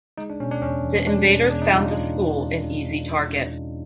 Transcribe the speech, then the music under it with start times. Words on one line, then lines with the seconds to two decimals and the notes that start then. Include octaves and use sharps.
The invaders found the school an easy target.
0.18 G#3 D#4
0.30 D4
0.40 B2 C#4
0.51 D4
0.62 E2 C#4
0.85 E2
1.07 G#3 D4
1.29 B2
1.50 E2 D4
1.62 D#4
1.72 F4